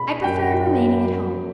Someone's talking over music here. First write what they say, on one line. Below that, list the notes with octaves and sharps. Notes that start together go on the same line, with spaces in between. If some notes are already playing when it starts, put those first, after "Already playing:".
I preferred remaining at home.
Already playing: B5
F#2 G5